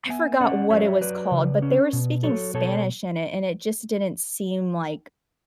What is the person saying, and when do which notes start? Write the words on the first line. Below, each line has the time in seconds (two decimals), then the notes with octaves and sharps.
I forgot what it was called, but they were speaking Spanish in it, and it just didn't seem, like,
0.09 B3 E5 G#5
0.40 C#4 D5 F#5
0.70 F#3 C#5 E5
1.01 F#3 B4 D5
1.31 C#3
1.62 C#4
1.93 B2
2.23 F#3 A4 C#5
2.54 B2 A4 C#5